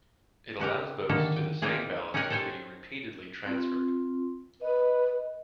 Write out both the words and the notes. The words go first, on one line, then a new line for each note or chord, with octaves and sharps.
It allows votes to the same ballots to be repeatedly transferred.
C#3 F#4 G4 A#4
D3 D#3 A#3 A4
G5
A#3 C4 D#4 F4 G#4
C#4 D#4 G4 A#4 F#5 G#5
A4 C5 C#5 G5 G#5
C4 F4
B4 D#5